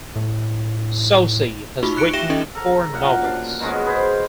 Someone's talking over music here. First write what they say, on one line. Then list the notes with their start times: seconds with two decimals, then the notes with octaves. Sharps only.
Soucy has written four novels.
0.16 A2
1.83 A3 D#4 F4 F#4 B5 C#6
1.96 C#6 F#6 C#7 D7
2.13 G4 E5 G5 A#6 E7 G7
2.30 C#4 D#4 A4 D#5 G5
2.55 A4 A#4 A#5
2.93 F#2 A#2 F#5
3.24 D4 F5
3.60 B2 D#3 G#3 C#4
3.85 G#4 B4 C5